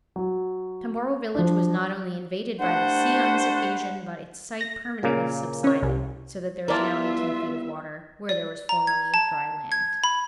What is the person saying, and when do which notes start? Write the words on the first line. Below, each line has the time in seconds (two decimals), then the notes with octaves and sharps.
Tomboro village was not only invaded by the sea on this occasion, but its site permanently subsided; so that there is now eighteen feet of water where there was formerly dry land.
0.16 F#3
1.35 F3 D4
2.60 C2 A3 D4 B4 C5 F#5
4.61 A#6
5.03 A#2 C#3 A#3
5.64 C#4 C#5
5.82 C2
6.68 G3 B3 E4 F4 A#4 D5 E5 A5
8.29 D5
8.69 A#5
8.87 G#6
9.14 A5
9.72 G#6
10.04 B5